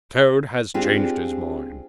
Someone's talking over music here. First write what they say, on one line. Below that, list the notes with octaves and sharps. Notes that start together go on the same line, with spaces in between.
Toad has changed his mind.
C4 D4 F4 G4 G#4